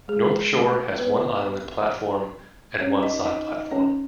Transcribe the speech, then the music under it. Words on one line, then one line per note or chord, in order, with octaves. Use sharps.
North Shore has one island platform and one side platform.
G#3 G#4
A3 A4
B3 B4
C#4 C#5
D#4 D#5
D#4 D#5
D#4 D#5
C#4 C#5